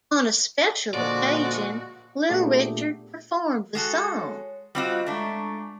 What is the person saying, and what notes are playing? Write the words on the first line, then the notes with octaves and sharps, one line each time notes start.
On a special occasion, Little Richard performed the song.
A#2 D3 F3 G#3 F#4 D5
A#2 A3 B3 D4 G4 G#4
G#3 F#4 A4
C#5
G3 C4 F4 F#4 D#5 F5
G#3 A3 D4 A#5 C#6